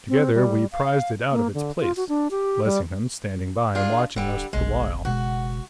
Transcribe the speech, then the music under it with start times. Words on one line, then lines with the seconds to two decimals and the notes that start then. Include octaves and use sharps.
Together we prised it out of its place,--Lessingham standing by and watching us the while.
0.09 C4
0.35 G3
0.72 F5
1.31 A#3
1.54 D3
1.80 F4
1.97 F#4
2.09 D4
2.31 G4
2.65 G3
3.75 D4 F4 G#4
4.16 D1 D3 G3
4.53 F#1 B1 D3 G#3
5.05 B2 G#3 F#4